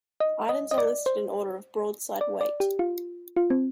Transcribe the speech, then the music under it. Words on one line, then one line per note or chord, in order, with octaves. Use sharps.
Items are listed in order of broadside weight.
D#5
D#5
D#5
D5
C5
D5
D5
G4
F4
F4
C4